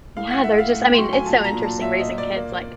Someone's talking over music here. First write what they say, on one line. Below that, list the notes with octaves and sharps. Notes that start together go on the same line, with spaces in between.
Yeah, they're just I mean, it's so interesting raising kids like
A2 F5
F#5
A2 E5
F5
A3 F#5
G5
C6
F#3 C#6
G#5
A#2 A5
A#5
A#2
A5
A#2 E5
D#5
A#2
D5
A#3